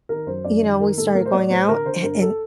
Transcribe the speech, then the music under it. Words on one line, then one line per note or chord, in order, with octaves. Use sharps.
you know, we started going out a and
D#3 A#4
F#2 C5
F#2 D5
D#3
D#3 A#4
A2 A4
A2 A#4
C5
A2 D5
A2 C5
D3 A#4
D3 C5
G2 A#4
A4